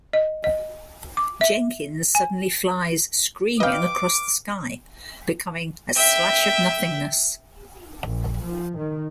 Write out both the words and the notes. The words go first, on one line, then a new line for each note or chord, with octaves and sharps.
Jenkins' suddenly flies "screaming across the sky," becoming "a slash of nothingness".
D#5
D#5
D6
E5
G#5
B4 D#5 F5 G5 D6
E5 G5
A#1
F3
D#3